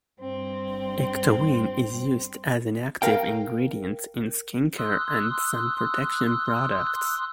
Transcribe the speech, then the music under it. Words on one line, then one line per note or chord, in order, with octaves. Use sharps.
Ectoine is used as an active ingredient in skin care and sun protection products.
G2 C4
A#4 F5 G5
C6 D#6 E6 F#6